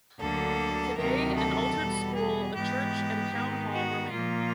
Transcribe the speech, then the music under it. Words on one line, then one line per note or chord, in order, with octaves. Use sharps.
Today, an altered school, a church and town hall remain.
D2 D3 F#3 A#3 A4
D2 C3 D#3 F#3 A3 A#4
A4
E2 B2 G3
G#4
G#2 E3 G#3 B3 G4
G#2 D#3 G#3 B3
F#4
A#2 F3 A#3 F4